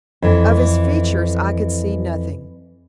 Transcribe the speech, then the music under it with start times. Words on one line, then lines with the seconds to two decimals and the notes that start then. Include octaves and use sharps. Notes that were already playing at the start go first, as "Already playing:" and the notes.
Of his features I could see nothing.
0.22 F2 E3